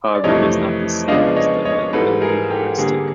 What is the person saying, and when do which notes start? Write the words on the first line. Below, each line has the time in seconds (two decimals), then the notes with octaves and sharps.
However, it is not the same as the availability heuristic.
0.15 D5
0.24 F2 C3 E3 A3 C#5 D#5
1.08 C#3 F3 G#3 B3 D4 D#5 F5
1.36 C#5 D#5
1.65 C#5 D#5
1.93 G#2 E3 G3 A4 B4
2.21 G#4 A#4
2.50 G4 A4
2.78 D3 G3 A#3 G#4